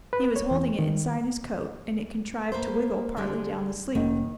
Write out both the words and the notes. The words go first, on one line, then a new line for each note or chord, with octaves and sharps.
He was holding it inside his coat, and it contrived to wiggle partly down the sleeve.
B4
C#5
E2
D#3
A#3 B4 C5
D3 G3 G#3
F1 D#3 A#3 C#4